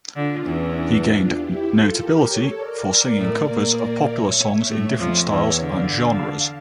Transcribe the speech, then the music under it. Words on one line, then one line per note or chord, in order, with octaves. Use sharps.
He gained notability for singing covers of popular songs in different styles and genres.
D3 D4 F4
E2 E3 C#4
D4
D4 F4
E4 G4
F4 A4
G4 A#4
A4 C#5
A#4 D5
A2 A3
A#2 A#3
C#5 E5
A2 A3 C#5 E5
F2 F3 C#5 E5
E2 E3 C#5 E5
D3 D5 F5
F5 A5